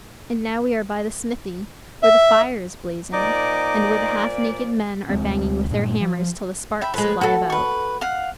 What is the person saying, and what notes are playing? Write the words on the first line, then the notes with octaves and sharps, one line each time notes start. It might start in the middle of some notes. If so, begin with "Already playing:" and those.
And now we are by the smithy, where the fire is blazing, and where the half-naked men are banging with their hammers till the sparks fly about.
E5
A#2 F3 D#4 D5 D#5 D6
D2 G#3 C4
G2 A#2
F3
E5 G5 B5
F2 G#3 B4
F#4 A4
B4 C#6
F5 F#5